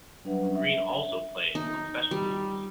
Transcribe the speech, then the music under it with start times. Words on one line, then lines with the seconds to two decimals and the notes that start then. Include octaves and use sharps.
Green also played on special teams.
0.24 F#3 G3 D4 B4 E5 F#5
0.43 C#4
0.55 E5
1.55 D#4
2.11 G3